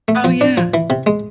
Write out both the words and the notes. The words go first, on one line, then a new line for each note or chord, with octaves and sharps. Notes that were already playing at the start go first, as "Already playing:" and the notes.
Oh, yeah.
A3
F3
D4
F3
E3
C3
G#3